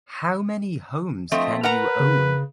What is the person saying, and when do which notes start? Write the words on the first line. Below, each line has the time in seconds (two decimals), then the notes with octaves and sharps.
How many homes can you own?
1.32 F3 A3 C4 D#5
1.63 A#4 B4 F#5 A#5
2.00 C#3